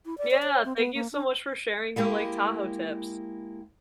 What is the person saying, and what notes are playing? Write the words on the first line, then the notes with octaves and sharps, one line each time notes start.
Yeah, thank you so much for sharing your Lake Tahoe tips.
E4
D5
D5
C#5
C4
B3
A#3
D4
G#3 A#3 E4 G4